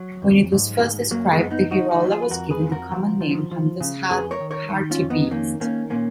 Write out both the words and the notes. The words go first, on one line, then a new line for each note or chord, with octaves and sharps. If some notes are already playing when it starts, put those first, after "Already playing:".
When it was first described the hirola was given the common name Hunter's hartebeest.
Already playing: F#3
F2
G#2
G#2
F#2 F#3 A#3
G#3 B3
F#2
B3 D#4
F3 D#4 F#4
D#4 F#4
F3
F4 G#4
B4
F2 F#4 A#4
G#4 B4
F3
F#4 A#4
F3
F3
F3
C#3
F2 G#4 B4
A#4 C#5
D#3
A#4 C#5
D#3
C#4 F4
F2
B3 D#4
D#3 A#3 C#4
D#3 A#3 C#4
A#2 A#3 C#4